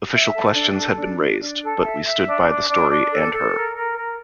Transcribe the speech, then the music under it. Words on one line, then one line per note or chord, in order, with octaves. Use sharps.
Official questions had been raised, but we stood by the story and her.
E5
A4
D4
A4
D4
D4
D4
A4
E5
E5
D4
D4
D4
D4
A4
A4
A#4
A#4
A#4